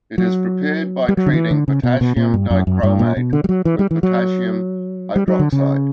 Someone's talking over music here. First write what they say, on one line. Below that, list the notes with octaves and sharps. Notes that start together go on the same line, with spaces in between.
It is prepared by treating potassium dichromate with potassium hydroxide.
F#3
G3
F#3
D3
E3
D3
C#3
B2
B2
A#2
G2
F#2
F#2
G2
A#2
B2
D3
G3
F#3
E3
G3
E3
F#3
G3
F#3
D3
C#3